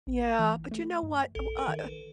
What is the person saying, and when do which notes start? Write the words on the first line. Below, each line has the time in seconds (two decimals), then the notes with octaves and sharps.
Yeah, but, you know what, uh,
0.07 A1
0.39 E3
0.71 A3
1.03 G2
1.35 A#1 A4
1.58 A#4
1.68 D#3
1.79 B4